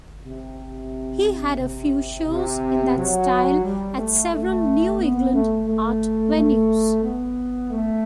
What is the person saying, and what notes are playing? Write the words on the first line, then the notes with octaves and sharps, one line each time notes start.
He had a few shows in that style at several New England art venues.
C3
C3
C3
F#3
G3
A3
A3
B3
A3
A3
A3
B3
A3